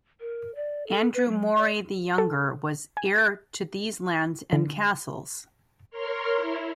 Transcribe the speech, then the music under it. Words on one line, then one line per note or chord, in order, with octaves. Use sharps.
Andrew Moray the younger was heir to these lands and castles.
A#4
D5
A4
B4
F#3
D5
A4
G#5
A6
D3
A#4 C#5 C6 F6
E4